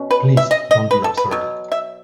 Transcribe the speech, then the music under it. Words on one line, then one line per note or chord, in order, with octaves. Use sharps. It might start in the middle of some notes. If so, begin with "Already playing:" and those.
Please, don’t be absurd.
Already playing: B2 C#4
B4
E5
D#5
D#5
B4
A4
B4
B2 F#3
E5